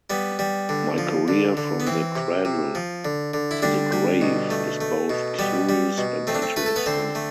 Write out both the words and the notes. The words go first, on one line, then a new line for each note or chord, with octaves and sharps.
My career from the cradle to the grave is both curious and interesting.
G3 B3
G3
D3
F3
D3
D3
B3
E3 C4
C3
C3
F3
D3
D3
E4
D3 G3 D4
G3
B2
A3
A3
B2
G3 B3
G3
B2
A3 C4
D4
C4
A3 B4
A4
B3 B4
D3 C4 C5
A3